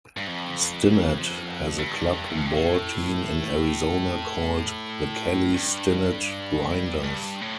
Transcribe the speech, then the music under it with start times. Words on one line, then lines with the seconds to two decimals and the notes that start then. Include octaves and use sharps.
Stinnett has a club ball team in Arizona called "The Kelly Stinnett Grinders".
0.17 G2
0.27 F2
1.79 G2
2.30 E2
2.37 F2
2.46 G2
2.54 A2
5.54 G2
7.04 G2
7.41 A2